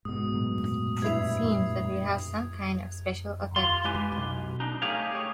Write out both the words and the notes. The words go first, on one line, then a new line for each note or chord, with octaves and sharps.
It seems that we have some kind of special effect.
G#2 B2 D#6
A#2 F#3 A3
G2 E4 E5 G#6 C7 F7
D#2 F4 C6
G#3 E4 G4 B4 G#5
B1
D4 D#4
A3 D#4 G4 G#4 C#5 F5
G#4 C#5